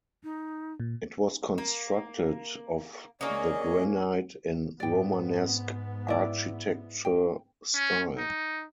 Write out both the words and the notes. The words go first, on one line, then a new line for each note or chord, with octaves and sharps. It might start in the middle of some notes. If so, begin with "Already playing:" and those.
It was constructed of the granite in Romanesque architecture style.
D#4
A#2
A#3
A#3 C#4 G#4 D5 D#5
G#2 B3 D5 G5
E4 D5
G5
C#4
D#4